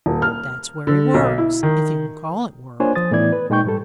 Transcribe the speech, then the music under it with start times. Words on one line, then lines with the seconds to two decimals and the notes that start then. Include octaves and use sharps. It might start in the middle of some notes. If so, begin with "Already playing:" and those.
That's where he works--if you can call it work.
0.06 D#1
0.22 F6
0.87 D3
1.14 B1
1.38 E4
1.63 D#3
2.80 A#3 D4 F4 C5 C#5 G#5
2.95 F3 C5 D#6 A6
3.11 A2 E3 B3 E4 D5 G#6
3.32 B4
3.50 A#2 G#3 D#4 G5 C#6 G6
3.65 G#2 G3 A4